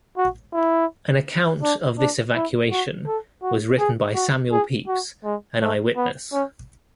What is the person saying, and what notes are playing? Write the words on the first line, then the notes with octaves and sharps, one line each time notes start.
An account of this evacuation was written by Samuel Pepys, an eyewitness.
F#4
E4
D4
D4
E4
F#4
A4
F#4
G#4
F#4
G#4
F#4
G#3
A3
B3
C#4